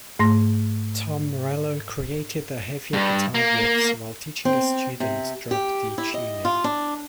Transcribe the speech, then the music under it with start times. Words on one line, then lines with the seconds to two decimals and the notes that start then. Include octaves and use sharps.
Tom Morello created the heavier guitar riffs while teaching a student drop D tuning.
0.19 G#2 A3 C6 A#6
2.93 G2
3.35 A#3
4.45 C4
5.00 C3
5.51 G4
5.98 E4
6.14 D#5
6.45 F4
6.64 D4